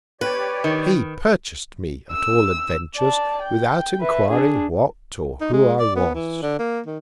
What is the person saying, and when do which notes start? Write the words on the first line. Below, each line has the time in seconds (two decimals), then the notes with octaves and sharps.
He purchas'd me at all Adventures, without enquiring what, or who I was.
0.21 G4 B4 C#5 D5
0.64 D#3
2.11 E6
2.96 D5 A5
3.42 G5
4.01 B4 E5
4.30 D4 G#4
5.41 D#4
5.53 G#3
5.80 D5
5.96 B3
6.14 E3
6.42 D3
6.59 A#3
6.86 D#3